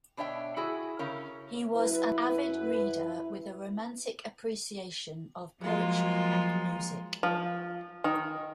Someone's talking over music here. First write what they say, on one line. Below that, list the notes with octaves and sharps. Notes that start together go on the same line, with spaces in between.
He was an avid reader with a romantic appreciation of poetry and music.
B2 D4 C#5 E5 G5
E4 F#4 G#4
C#3 C#4 A#4
F#2 E4 B4
F3 F#3 G#3 A#3 F4
F3
D#3